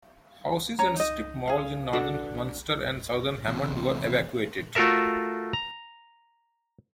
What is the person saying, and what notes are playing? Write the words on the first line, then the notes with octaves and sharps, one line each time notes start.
Houses and strip malls in northern Munster and southern Hammond were evacuated.
C#4 C#5 A#5
D#4 D#5
G#4 F5
D4 F#4 A4
E2 C3
A3 F4 F#4 A4 A#4 E5
A#5